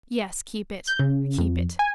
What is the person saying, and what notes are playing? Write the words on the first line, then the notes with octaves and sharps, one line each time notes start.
"Yes, keep it--keep it."
G6
C#3
F2
G#5